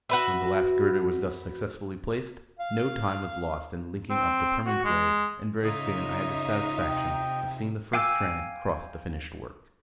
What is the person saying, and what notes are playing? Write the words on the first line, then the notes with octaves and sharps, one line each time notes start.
When the last girder was thus successfully placed, no time was lost in linking up the permanent way, and very soon I had the satisfaction of seeing the first train cross the finished work.
F#4 B4 E5
F5
C4
F#4
G#3
C#3 D#4 F4 D#5 E5
C3 G5
F5 G5 G#5 D6 E6